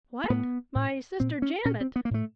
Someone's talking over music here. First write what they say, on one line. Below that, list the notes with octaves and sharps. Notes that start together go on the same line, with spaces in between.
"What! my sister Janet?"
A#3
A2 B3
A2
A#2 C4
C#4
A#2 C#4
C4
B3
A#3
A2 A3